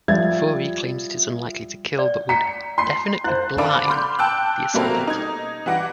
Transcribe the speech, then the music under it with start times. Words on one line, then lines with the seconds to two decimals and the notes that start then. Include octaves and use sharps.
Fourie claims it is unlikely to kill but would "definitely blind" the assailant.
0.08 F3 G3 E5 G#6 A6
1.99 D5
2.29 A#5 B6 C#7
2.78 C6 C7
3.24 E4 C5 F#6
3.58 D3 A4 D5 F5 B5 D6
3.88 B5 C6 F6 G6
4.19 G5 A5 E6 F#6
4.74 B2 G3 A3 A#3 C4 A#4
5.07 D#4 G#6
5.66 E3 G3 F#5 D6 A#6